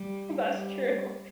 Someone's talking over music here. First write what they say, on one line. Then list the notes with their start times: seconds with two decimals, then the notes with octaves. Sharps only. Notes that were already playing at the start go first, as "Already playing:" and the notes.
That's true.
Already playing: G3
0.48 G3